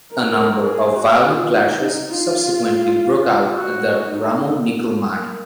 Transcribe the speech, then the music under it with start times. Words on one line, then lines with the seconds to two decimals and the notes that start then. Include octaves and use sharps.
A number of violent clashes subsequently broke out at the Ramu nickel mine.
0.11 A#4
0.39 A#4
0.68 G#4
0.96 F#4
1.25 F4
1.53 D#4
1.82 D#4
2.11 F4
3.53 F#4
4.10 D#4
4.39 D#4
4.67 B3
4.96 A#3